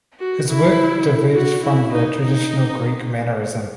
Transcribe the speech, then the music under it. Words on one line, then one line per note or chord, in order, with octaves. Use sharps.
His work diverged from the traditional Greek mannerism.
F#4
E4
F#4
E4
D#4
D#4